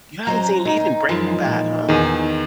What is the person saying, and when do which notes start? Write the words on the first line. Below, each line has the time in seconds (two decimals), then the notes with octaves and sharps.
You haven't seen even Breaking Bad, huh?
0.27 F#3 C#4 C5 D#5 A#5
0.65 A#2 D#4
1.09 F#2 E3 F3 G#3 D#4
1.45 A#2
1.89 E2 D#3 G#4